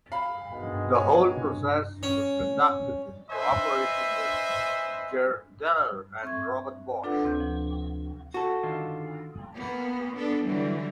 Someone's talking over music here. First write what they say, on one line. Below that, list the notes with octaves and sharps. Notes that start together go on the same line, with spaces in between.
The whole process was conducted in cooperation with Goerdeler and Robert Bosch.
F5 B5
B2 D#3 G#3
C#5 G#5
C3
C#4
B4 C5 D#5 E5 G#5
C4 E5 C#6 G#6
D4 F4 A4 B4 D5 F#5
D2 C3 C4 G6
F3
F#4 A4
D3 D#3 F4
A#3 B3
B3 D4 A4
D3 E3 F#3 G3